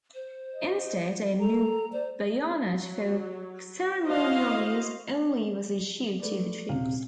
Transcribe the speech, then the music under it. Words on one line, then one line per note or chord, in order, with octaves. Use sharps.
Instead a new bayonet for ceremonial use only was issued to the troops.
C5
D#5
A4 A#5
C5 D5
F#3
E4 F#4 C5 D#5 F5
A3 B4 D5
D#1 C3 F5